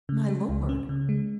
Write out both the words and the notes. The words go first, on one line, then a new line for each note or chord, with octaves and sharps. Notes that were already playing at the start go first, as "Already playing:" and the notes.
"My lord!"
C#3
G#3
C#2
C#4
C#3
G#3